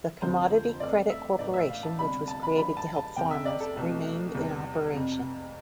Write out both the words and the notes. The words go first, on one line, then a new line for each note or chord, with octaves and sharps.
The Commodity Credit Corporation, which was created to help farmers, remained in operation.
F1 F2 D3 F3 C4 C5
F2 E3 A3 D5
E5
A1 A2 E3 B3 D4 D5
E5
F5
A5
G1 F2 C3 G3 D4 B5
A5
B5
G2 E3 G3 D4 B5
A5
A5
F1 E2 C3 G5
E5
D5
A4
C2 B2 A3
E2 C3 E3 G3
F1 F2 C3